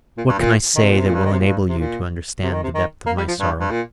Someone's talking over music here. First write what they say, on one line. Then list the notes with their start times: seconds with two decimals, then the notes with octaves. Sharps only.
What can I say that will enable you to understand the depth of my sorrow?
0.17 A#2
0.29 G2
0.38 A#2
0.75 D#3
0.82 C3
0.89 A#2
0.98 C3
1.06 A#2
1.14 G2
1.25 D#3
1.32 C3
1.39 A#2
1.46 G2
1.68 C3
1.78 A#2
2.42 C3
2.52 D#3
2.63 C3
2.74 D#3
3.06 A#3
3.17 G3
3.28 F3
3.39 G2
3.59 G2
3.71 A#2